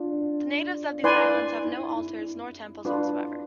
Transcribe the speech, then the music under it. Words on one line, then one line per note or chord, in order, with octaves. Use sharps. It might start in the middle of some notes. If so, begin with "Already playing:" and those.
The natives of these islands have no altars nor temples whatever.
Already playing: D4 F4
E4 B4 D5 G#5 C6
E4
E4
E4
D4 F4 B4